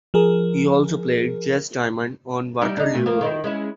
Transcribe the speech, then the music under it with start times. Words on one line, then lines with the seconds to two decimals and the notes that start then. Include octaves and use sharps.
He also played Jez Diamond on Waterloo Road.
0.14 F3 G#4 A#4
2.61 G3 D#4 E4
2.77 D4 D#4
2.94 A#2 A3
3.06 F3 A#3
3.21 D#3 D#4 E4
3.44 G#3 C#4 E4